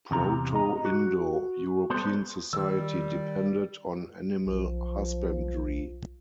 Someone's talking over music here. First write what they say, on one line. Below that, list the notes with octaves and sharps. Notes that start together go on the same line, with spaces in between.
Proto-Indo-European society depended on animal husbandry.
E2 C3 A#5
D#5 A#5
F#4
G3 B3 A4 C5
D#3 G3 E6
B1 F3